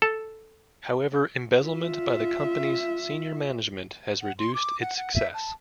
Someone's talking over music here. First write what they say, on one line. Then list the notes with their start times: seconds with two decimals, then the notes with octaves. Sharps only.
However, embezzlement by the company's senior management has reduced its success.
0.02 A4
1.63 F4 E5
4.22 F#5
4.39 C6
4.54 D6
4.81 F#5
4.97 F#5
5.14 E5
5.34 A5